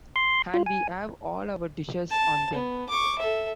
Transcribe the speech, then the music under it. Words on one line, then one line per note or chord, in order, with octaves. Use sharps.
And we have all our dishes on them.
C6
F4
G#5
A5
B3
C#6 D6
A4 E5